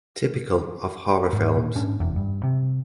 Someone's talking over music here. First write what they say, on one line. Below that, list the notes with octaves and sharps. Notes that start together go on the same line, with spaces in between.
Typical of horror films.
G#2
A#2
G#2 C#4 D4
F1 E2
G2
C3